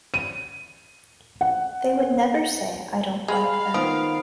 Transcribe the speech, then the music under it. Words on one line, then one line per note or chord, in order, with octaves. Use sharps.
They would never say, 'I don't like them'.
D#7
F#5
G#3 F5 B5 F6 F#7
D#3 F3 B3 D#6 F6 D7